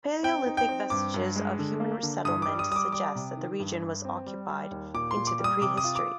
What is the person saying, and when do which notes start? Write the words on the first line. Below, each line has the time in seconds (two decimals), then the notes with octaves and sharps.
Paleolithic vestiges of human settlement suggest that the region was occupied into the pre-history.
0.23 C4 G5
0.46 D#4
0.57 G5
0.69 C4
0.90 G2 D6
1.14 G2
1.36 G#3
1.59 D3
1.80 A#3
2.03 D3
2.25 G2 D#6
2.42 G3 D6
2.59 D#6
2.70 G3 D#6
2.76 D6
2.92 G3 D6
3.15 C3
3.37 D#3
3.60 G2
3.82 G2
4.05 C4
4.26 G3
4.49 G3
4.71 D#2
4.94 A#2 D6
5.11 C6
5.17 A#2
5.27 D6
5.39 G3
5.44 D#6
5.61 C3 D6
5.77 D#6
5.84 F4
5.95 D6